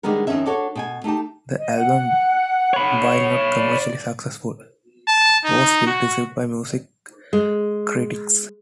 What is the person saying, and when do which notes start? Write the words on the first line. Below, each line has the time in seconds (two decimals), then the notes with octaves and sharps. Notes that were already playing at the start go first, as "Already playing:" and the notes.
The album, while not commercially successful, was well-received by music critics.
0.03 D3 D#3 G3 G#3 B3 A#4
0.27 F2 B2 D#3 C#4 E5
0.46 D4 F#4 A4 C#5
0.75 B2 G5 G#5
1.04 A3 D#4 G4 A5
1.57 D#5
1.75 F#5
2.73 C#5 B5
3.53 D5
5.08 A5
5.45 D#4
5.87 F#4
7.33 G#3